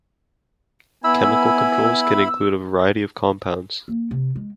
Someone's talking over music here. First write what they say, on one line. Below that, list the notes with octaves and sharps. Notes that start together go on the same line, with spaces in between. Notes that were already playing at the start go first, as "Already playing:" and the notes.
Chemical controls can include a variety of compounds.
B3 E4 G#5 B5 E6
A#3
C3
G#3